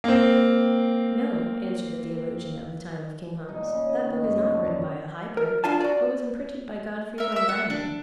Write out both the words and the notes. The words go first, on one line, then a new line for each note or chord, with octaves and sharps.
"No," answered the theologian of the time of King Hans: "that book is not written by a Heiberg, but was imprinted by Godfrey von Gehmen."
A#3 C4
D#4
A#2
C#3
D#5
D#3
F#2
D3
F#2
A#4
D4 F4 G#5 A5
F#4 D5
A#4 E5
A#4 E5
F#5
D4